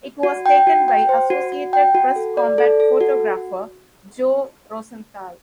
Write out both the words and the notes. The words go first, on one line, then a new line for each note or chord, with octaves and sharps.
It was taken by Associated Press combat photographer Joe Rosenthal.
F#4
G5
F#4
G5
C5
F#4
F#4
G5
F#4
A4
D5
A4
A4
F#4